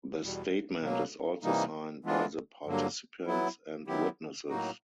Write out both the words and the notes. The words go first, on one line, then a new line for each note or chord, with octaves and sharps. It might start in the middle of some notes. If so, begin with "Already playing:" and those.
The statement is also signed by the participants and witnesses.
E2 B2 G3
B2 F#3 A#3
C3 E3 G3 A#3 D#4
E3 G#3 B3 D4 F4
G2 D3 F#3 A#3
F#3 B3 E4
D#3 F#3 B3 E4 G4
A2 F#3 A#3 D#4 F#4